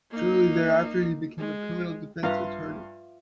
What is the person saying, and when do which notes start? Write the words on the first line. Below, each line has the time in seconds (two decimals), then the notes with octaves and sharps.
Shortly thereafter he became a criminal defense attorney.
0.11 A#3 D#4
1.39 G#3
2.23 G2 F4 B4 E5 F5 A#5